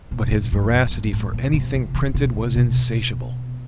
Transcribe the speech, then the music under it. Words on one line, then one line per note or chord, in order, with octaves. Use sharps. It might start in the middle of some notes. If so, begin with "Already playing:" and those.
But his voracity for anything printed was insatiable.
B2
A2
F#2
E2
F#2
G2
G2
A2
B2
B2
C3
C3
D#3
C3
B2